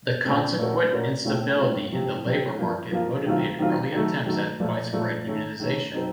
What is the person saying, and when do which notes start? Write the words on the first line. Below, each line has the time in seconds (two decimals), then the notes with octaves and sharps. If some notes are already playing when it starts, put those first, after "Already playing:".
The consequent instability in the labor market motivated early attempts at widespread unionization.
0.25 A#2 A3 C4
0.58 A#2 A3 C#4 F#4 A#4
0.92 A#2 A3 C#4 F#4 A#4
1.25 A2 A3 C4 F4
1.58 A2 A3 C4 F4
1.92 C3 F3 C4
2.26 C3 F3 C4
2.59 F3 A#3 F4
2.92 F3 A#3 F4
3.26 D#3 F#3 A3 C4 F4
3.59 D#3 F#3 A3 C4 F4
3.92 D#3 F#3 A3
4.26 D#3 F#3 A3
4.60 A#2 F3 A3
4.93 A#2 F3 A3
5.26 D#3 A3 C#4
5.60 D#3 A3 C#4
5.94 F#3 C4 D#4 A4 C5